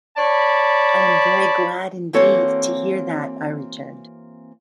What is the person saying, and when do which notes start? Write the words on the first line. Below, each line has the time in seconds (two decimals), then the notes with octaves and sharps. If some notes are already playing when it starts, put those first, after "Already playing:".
"I am very glad indeed to hear that," I returned.
0.17 C#5 D5 A5 B5
2.13 E3 A#3 C4 F#4 A4 C#5